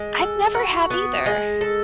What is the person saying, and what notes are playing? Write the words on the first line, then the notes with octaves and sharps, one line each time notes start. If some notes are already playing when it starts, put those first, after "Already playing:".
I've never have either.
Already playing: G#3
A4
F#4
B3
G#3
A4